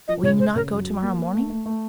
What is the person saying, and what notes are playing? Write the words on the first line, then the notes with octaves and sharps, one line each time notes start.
"Will you not go tomorrow morning?"
F3 D#5
C#3 C#5
C#3 C5
C#3 A#4
F#2
F#3
A#3
A#3
A3
A3
A3